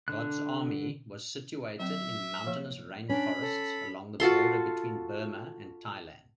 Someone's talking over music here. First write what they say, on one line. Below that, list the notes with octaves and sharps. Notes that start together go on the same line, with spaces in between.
God's Army was situated in mountainous rainforests along the border between Burma and Thailand.
D3 F#6
F#3 C4 E5
F3 A#3
C#4 D4 B5
A4
F4 F#4 A4 C6